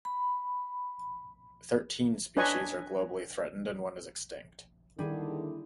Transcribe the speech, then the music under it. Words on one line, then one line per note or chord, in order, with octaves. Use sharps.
Thirteen species are globally threatened and one is extinct.
B5
D4 B4 C#5 D#5 G#5 C#6
D#2 D3 D#3 G3 E4 G#4